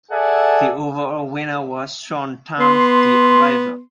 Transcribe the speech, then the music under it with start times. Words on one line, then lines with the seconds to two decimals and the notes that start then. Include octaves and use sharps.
The overall winner was Shaun Tan's "The Arrival".
0.11 G#4 A4 D5 E5 F#5 G#5
2.60 B3 C6